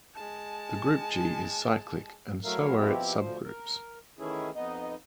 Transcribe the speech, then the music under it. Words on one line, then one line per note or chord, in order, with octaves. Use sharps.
The group "G" is cyclic, and so are its subgroups.
G#3 A5
F#3 A3 E4 A#4 F5
B2 F3 C4 E4 G4
D2 F3 C5
A#4
D#3 E3 A3 C#4 E4 G#4
F2 B3 D#4 D#5